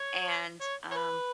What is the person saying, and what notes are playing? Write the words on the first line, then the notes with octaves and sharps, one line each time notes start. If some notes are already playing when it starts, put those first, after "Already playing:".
and, um,
Already playing: C#5
C#5
C#5
B4